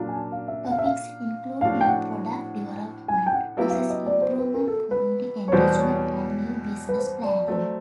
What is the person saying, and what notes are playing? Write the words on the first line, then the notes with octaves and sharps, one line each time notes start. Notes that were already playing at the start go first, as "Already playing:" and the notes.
Topics include new product development, process improvement, community enrichment, and new business planning.
Already playing: A#2 F#3 A#3 D4 F4
G#5
A5
F5
E5
F#5
F5
E5
F5
A2 F3 A3 D4 F#4 F5
G5
F#5
G#5
G5
F#5
F#3 B3 E4 G4 F5
F5
E5
D#5
D5
C5
B4
A#4
A4
B4
C#5
E2 B2 G3 C5
C#5
B4
C5
D5
F#3 A3 C4 D5